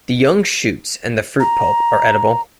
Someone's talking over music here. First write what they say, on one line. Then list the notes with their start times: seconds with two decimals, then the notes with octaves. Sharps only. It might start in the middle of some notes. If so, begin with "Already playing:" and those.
The young shoots and the fruit pulp are edible.
1.40 A#5